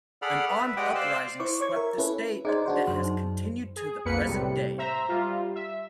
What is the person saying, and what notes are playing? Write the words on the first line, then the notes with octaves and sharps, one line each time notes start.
An armed uprising swept the state that has continued to the present-day.
G#4 A4 D5 F#5 B5 F6
B4 E5
G#3 G4 D5 D#5 F#5 G5
C5 D5 F5 C6 E6 F#6
E4 C5 C#6 D6
C#5 C#6 G#6
A#4 E5
C#4 E4 A4 B4
D#4 G#4 C5 D5 D#5
D4 F#4 C5
F#2 F#3 C5 C6
D#4
G#4
B1 F2 A#3 B4 C#7
A2 C3 G3
C5 E5 A#5
G3 F4
E5